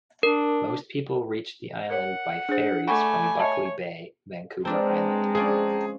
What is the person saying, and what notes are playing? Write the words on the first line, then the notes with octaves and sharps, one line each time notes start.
Most people reach the island by ferries from Buckley Bay, Vancouver Island.
D4 A#4
A#4 C#5 F#5
D4 G#4 C5
A3 D5 F#5 G#5 B5 C#6
C#5 D#5 E5 A5
G#3 C4 D4 B4 G5 A5 A#5
F3 C#4 G#4 D5